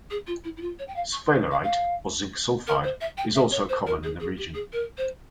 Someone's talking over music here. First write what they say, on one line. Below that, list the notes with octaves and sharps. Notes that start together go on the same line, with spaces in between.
Sphalerite or zinc sulfide is also, common in the region.
G#4
F4
E4
E4
F4
C#5
G5
F5
C#6
C6
F5
F5
A#4
C5
E5
G5
E5
C#5
C5
A#4
G#4
G#4
G4
G#4
A#4
C5